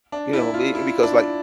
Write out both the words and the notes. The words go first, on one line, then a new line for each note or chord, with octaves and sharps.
You know? B because, like
D4
E4
F4
E4
D4